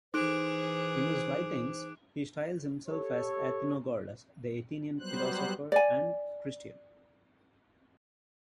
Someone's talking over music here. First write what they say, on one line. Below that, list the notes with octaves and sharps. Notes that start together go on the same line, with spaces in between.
In his writings he styles himself as "Athenagoras, the Athenian, Philosopher, and Christian".
E3 D#4 G#4 C5 D6 F#6 D7
G4 A4 C#5
F#3 G3 B3 C5 F#6
D5 G#5